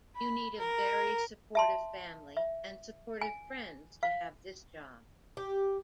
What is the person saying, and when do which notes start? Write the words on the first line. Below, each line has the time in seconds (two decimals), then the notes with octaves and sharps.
You need a very supportive family and supportive friends to have this job.
0.16 B5
0.58 A#4
1.55 E5 A5 C6
2.37 E5
3.21 G#5
4.03 F5
5.37 G4